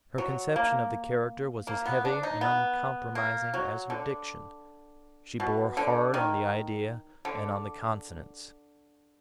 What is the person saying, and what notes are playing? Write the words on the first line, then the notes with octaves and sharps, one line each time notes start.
Her conception of the character was as heavy and uncompromising as her diction; she bore hard on the idea and on the consonants.
F#3
A#3
A#3
B3
D4
D#4
B3
A#3
F#3
D3
B2
D3
D#3
D3